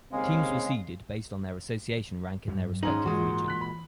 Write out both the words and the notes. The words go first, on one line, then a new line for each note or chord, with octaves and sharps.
Teams were seeded based on their association rank in their respective region.
D#2 C#3 G#3 C4 F5
G2 F#3 G3
G#2 C#4 D#4 C6 F#7
A#2 E3 G#3 F#4
F#6 B6
B5